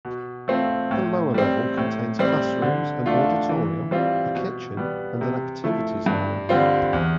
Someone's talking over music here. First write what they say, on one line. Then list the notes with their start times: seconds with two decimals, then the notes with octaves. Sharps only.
The lower level contains classrooms, an auditorium, a kitchen and an activities area.
0.05 B2
0.48 A3 C4 F4
0.91 A2
1.34 G3 C4
1.77 A2
2.19 G3 C4
2.62 D3
3.06 A3 D4 F4
3.49 E3
3.91 G3 C4 F4
4.35 B2
4.77 G3 B3
5.21 C3
5.64 F3 A3 E4
6.06 G2
6.49 D3 G3 C4 F4
6.93 E2